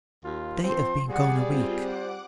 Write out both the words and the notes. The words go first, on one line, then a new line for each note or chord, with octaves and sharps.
'They have been gone a week.
D#2 F4
F3 C4 C6
G3 G#4 D5 F#5
C4 F4 C5
F#5 D6